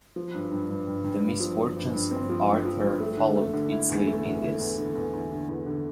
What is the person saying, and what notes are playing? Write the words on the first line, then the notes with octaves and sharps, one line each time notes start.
"The Misfortunes of Arthur"-followed its lead in this.
F3
G2
G2
G2
G2
G2
G2
F3
F3
G2
G2
C4
F3
G2
F3
G2
A3
D3
A3
D3
E4
E2
A3
E2
E4
E2
D3
E2
E2
D3
E2
D3